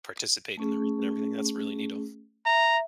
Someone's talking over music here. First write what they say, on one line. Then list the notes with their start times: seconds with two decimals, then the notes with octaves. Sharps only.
Participate in the wreath and everything, that's really neato.
0.57 A3 C#4 G#4
2.46 E5 A#5